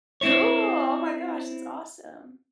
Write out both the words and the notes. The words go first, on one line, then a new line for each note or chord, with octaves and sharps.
Cool! Oh my gosh. That's awesome.
C4 E4 C#5